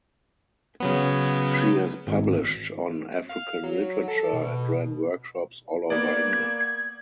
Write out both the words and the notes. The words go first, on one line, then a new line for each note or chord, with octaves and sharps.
She has published on African literature and ran workshops all over England.
C#3 F#3 B3
G#1
F5
F#3
A4
B2
A#3 B3 D5 G#6